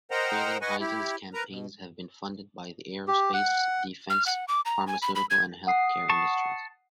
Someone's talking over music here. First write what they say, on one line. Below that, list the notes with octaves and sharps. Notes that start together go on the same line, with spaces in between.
Frelinghuysen's campaigns have been funded by the aerospace, defense, pharmaceutical and health care industries.
A#4 C5 D#5 F#5 G5 A#5
B4 D#5 F#5 G#5 C#6
E4 G4
A#4 B4 A#5
B2
G4
F#5
F6
F#5
D6
A#5
G#5
B5
B5
G#6
F#5 D#6 C7
A5 C#6